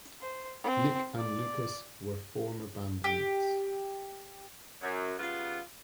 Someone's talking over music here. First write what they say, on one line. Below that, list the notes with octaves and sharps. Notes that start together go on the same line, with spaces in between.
Nick and Lukas were former band Mates.
C5
C4
D5
G4
F#2
C#3 G3 B3 F4